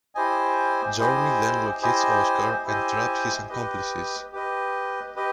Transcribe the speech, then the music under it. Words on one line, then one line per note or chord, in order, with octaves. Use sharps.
Johnny then locates Oscar and traps his accomplices.
E4 G4 C5 D#5 G#5
E4 G4 C5 D#5 G#5
E4 G4 C5 D#5 G#5
E4 G4 C5 D#5 G#5
G4 B4 D#5
G4 B4 D#5
G4 B4 D#5